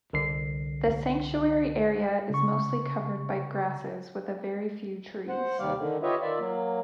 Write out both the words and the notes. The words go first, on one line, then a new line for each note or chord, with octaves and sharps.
The sanctuary area is mostly covered by grasses with a very few trees.
C2 D3 C7
C#3 C#6
C5 F#5
D#2 C3 G3 D5 F5
D3 D#3
F4 G4 B4 C#5 D#5 E5
D#3 F4 D5 E5
F#3 A#3